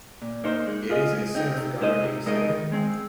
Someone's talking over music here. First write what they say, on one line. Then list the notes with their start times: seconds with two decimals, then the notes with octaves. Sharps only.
It is a self-governing city.
0.22 A#2
0.44 A#3 D#4 C5
0.67 G#3
0.90 F4 G#4 D#5
1.12 G#3
1.35 C4 D#4
1.58 C3
1.81 G#3 D#4 C5 D#5
2.04 C3
2.26 G#3 D#4 A#4 D#5
2.49 D#3
2.72 G#3 C4